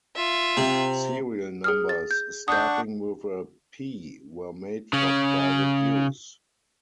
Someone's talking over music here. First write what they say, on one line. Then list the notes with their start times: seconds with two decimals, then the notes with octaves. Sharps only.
Serial numbers starting with a P were made for private use.
0.16 F4 E5
0.57 C3
1.64 G#4 D#6 F6
1.89 A6
2.11 G6
2.48 D4 F#5 C#6 D#6 G6
4.93 C#3 C#4